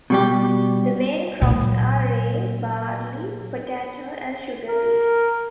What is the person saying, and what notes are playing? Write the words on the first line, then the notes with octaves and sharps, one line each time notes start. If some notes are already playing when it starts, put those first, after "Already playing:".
The main crops are rye, barley, potato and sugar beet.
B2 G3 G4
A#2 F#3
A#4